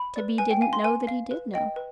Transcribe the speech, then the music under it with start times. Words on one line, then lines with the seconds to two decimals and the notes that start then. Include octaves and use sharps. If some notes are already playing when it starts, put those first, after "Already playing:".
Tibby didn't know that he did know.
Already playing: B5
0.16 B4 D5
0.38 B4 G#5
0.51 G5
0.61 F5 G#5
0.73 C6
0.84 B4 G#5
1.07 F5
1.31 B4
1.54 D#5 G5
1.76 B4